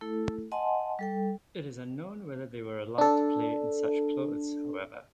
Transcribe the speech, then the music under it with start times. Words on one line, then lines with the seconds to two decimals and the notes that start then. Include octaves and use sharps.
It is unknown whether they were allowed to play in such clothes however.
0.01 A3 E4 A4
0.52 D#5 F#5 G#5 A5 C6
0.99 G3 A4 G5
2.98 D4 A4